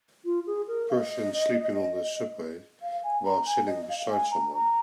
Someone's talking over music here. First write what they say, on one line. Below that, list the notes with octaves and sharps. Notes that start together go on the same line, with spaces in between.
Person sleeping on the subway, while sitting beside someone.
F4
G#4
A#4
F5
D#5
F5
G#5
A#5
G#5
D#5
F5
G#5
A#5
A#5